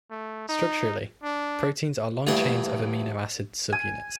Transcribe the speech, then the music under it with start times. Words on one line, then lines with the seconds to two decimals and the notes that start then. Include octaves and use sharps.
Structurally, proteins are long chains of amino acid subunits.
0.11 A3
0.49 D#4
1.23 D4
2.27 D2 G2 A#2 E3 D4 F#5
3.72 G#5